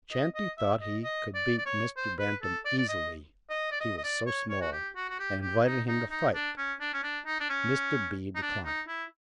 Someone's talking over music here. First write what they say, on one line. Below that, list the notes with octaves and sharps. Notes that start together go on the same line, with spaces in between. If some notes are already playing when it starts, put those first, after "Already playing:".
Chanty thought he could beat Mr. Bantam easily, he was so small, and invited him to fight. Mr. B. declined.
D#5
D#5
E5
D#5
D#5
D5
D5
C#5
C5
B4
A4
D5
D5
D#5
D#5
D5
D#5
D#5
D5
C#5
C#5
F#4
G4
F#4
F#4
G4
G4
D#4
D#4
D#4
D4
C#4
D4
C#4
D4
D#4
D4
C#4
D#4
D4
D#4
E4